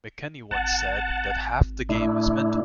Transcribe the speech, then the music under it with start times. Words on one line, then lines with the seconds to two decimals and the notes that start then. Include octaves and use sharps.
McKenny once said that Half the game is mental.
0.51 G#1 F#5 A5
1.89 A2 D4 E4